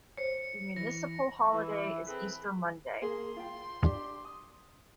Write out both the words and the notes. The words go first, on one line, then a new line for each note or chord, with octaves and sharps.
The municipal holiday is Easter Monday.
C5 C#5 C#7
E3 A#6
E3
C4 G#4 A4 B4
A#3 G#4 C6
F4 G5
D4 G4
D#6